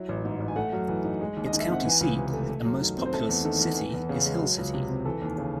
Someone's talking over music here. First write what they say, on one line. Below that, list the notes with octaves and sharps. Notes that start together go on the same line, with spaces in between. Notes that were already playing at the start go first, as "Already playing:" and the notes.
Its county seat and most populous city is Hill City.
Already playing: F#3 E4
A1
G#2
A1
G#5
A3 F#5
F#2
E3
D#4
G#3
D#2
D#5
D#3
E5
C4 F#5
E3 G#5
C#2
C3
A3
A3
F#2
D#3
C4
C5
A3 A4
E2
D#3 A4
E2
E3
E2
C#3
G#3
F#3
C#2
C3
C4
E3 A4
D#2
C#3